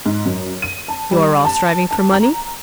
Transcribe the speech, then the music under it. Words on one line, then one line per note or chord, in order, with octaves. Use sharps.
You are all striving for money.
G#2
F#2
D#7
A5
G3
A5
A5
A#5